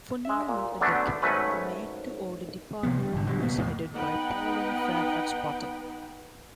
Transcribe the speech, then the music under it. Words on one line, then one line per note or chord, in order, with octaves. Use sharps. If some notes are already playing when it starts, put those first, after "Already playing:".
For nearly a decade, the made-to-order department was headed by Pauline Fairfax Potter.
G#3 E5
A#2
D3 F#3 A3 B3 C#4 D4
G#1 F#3 A3 C#4 B4
C3 F3 B3
G3
A1 G#2 D3
B2 D3 F#3 G3
A2 C3 A#3 B3
B1 F2 A2
B3 D#4 B4 F#5 G5